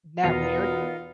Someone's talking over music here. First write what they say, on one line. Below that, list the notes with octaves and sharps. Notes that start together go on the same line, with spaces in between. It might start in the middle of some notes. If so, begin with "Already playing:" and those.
Isn't that weird?
E2 B2 B3 D#4 F4 A#4 F5